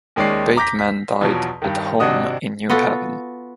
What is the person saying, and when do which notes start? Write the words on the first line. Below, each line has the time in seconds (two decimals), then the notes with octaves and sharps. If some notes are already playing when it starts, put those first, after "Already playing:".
Bateman died at home in New Haven.
0.16 D#2 D#3 G#3 C#4 D5 C7
0.56 A#5 D6 G6 A#6 B6
0.79 B6
1.21 E2 B2 F3 F#3
1.62 G2 D#3
2.00 G#1 C3 D4 F#4 D#5 D#6
2.69 B3 F4 F#4 A4